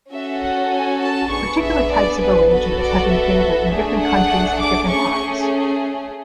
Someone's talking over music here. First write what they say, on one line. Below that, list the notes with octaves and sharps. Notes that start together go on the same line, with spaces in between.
Particular types of arrangements have been favored in different countries at different times.
C#4 F#4 A4 E5
F#5
G#5
A5
B3 D4 G#4 C#6
E5
D5
B4
B3 F#4 A4 B4
D5
E5
A3 D4 G#4
F#5
D6
A3 C#4 G#4 C#6